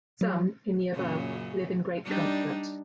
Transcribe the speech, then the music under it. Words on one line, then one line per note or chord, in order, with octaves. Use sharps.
Some - in the Above - live in great comfort.
F#3
F#2 A#2 C#3
G3 D4 D#4